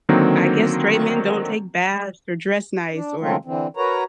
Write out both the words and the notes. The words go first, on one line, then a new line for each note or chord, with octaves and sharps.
I guess straight men don't take baths, or dress nice, or
D3 D#3 F#3 A#3 C4
D4
C#3 F#3 G#3 A3 C4 F4
D3 E3 C4
F#4 A#4 B4 C#5 A#5